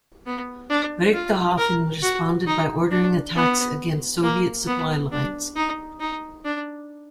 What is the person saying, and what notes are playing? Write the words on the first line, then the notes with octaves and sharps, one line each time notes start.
Richthofen responded by ordering attacks against Soviet supply lines.
B3
D4
F4
A#4
F#4
D#4
D4
B3
A#3
B3
D4
D#4
D#4
D4